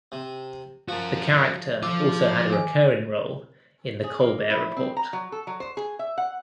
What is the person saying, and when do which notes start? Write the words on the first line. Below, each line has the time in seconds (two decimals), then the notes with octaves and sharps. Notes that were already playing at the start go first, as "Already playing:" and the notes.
The character also had a recurring role in "The Colbert Report".
0.12 C3
0.89 F3 F#4 A#4
1.83 F3 F4 A4 D6
2.53 G#5
4.04 G#4
4.20 A#3
4.50 E4
4.77 C4
4.97 A#5
5.13 F#3
5.32 A4
5.47 F#3
5.60 C5
5.77 G#4
5.99 E5
6.18 F#5